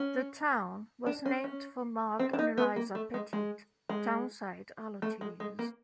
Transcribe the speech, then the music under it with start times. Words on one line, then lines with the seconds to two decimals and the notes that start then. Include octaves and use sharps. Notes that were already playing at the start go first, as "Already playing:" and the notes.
The town was named for Mark and Eliza Pettit, townsite allottees.
Already playing: C#4
1.06 D4
1.26 C#4
1.44 C#4
2.19 C4
2.33 D4
2.39 D#4
2.58 B3
2.76 A#3
2.95 A3
3.14 G#3
3.33 G#3
3.89 G#3
5.02 A3
5.21 G#3
5.40 G#3
5.59 A#3